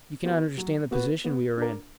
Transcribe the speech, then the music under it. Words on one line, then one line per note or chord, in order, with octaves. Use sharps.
You cannot understand the position we are in.
B3 F#4 B4
F#3
B3 F#4 B4
B3
D4 A#4